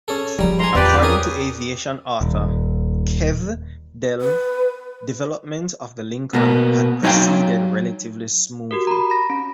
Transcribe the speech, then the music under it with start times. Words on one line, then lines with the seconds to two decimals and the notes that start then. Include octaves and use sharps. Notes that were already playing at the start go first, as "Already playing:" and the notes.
According to aviation author Kev Delve, development of the Lincoln had proceeded relatively smoothly.
0.08 C#4 G#4 A4
0.39 F3 G3 A#3 A#5
0.59 G#2 G#5 A#5 C6
0.75 E2 F3 C4 G4 B4 D5
1.02 C#4 G#4 A#4 D#6
2.21 D#1
4.21 B4
6.33 B2 A#3 B3
7.03 F#3 D#4 C#5 D5 F5 G5
8.71 F#4 G4 A#4
8.87 A#5 B5
9.10 B5 A#6
9.30 C#4